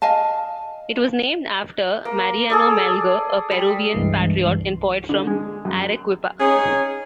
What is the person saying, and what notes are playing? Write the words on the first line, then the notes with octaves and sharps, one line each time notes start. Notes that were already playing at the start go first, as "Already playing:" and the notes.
It was named after Mariano Melgar, a Peruvian patriot and poet from Arequipa.
D#5 F5 G#5 A5
A#3
G#4 A4 D5
G3
C2 G2 E3 G#3 C7
D3
G#3
F#2
C#4 D#4 G#4